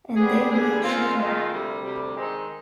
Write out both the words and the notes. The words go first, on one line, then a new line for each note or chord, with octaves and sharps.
And they will shudder.
D3 G3 B3 D4 G#4
D3 G3 B3 D4 G#4
D#3 G#3 C4 F4
D#3 G#3 C4 F4
D2 C3 G3
D2 C3 G3
D#3 G#3 C4 D#4